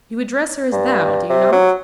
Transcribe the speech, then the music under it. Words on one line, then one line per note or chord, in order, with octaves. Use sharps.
"You address her as thou, do you not?"
G2
C3
F#3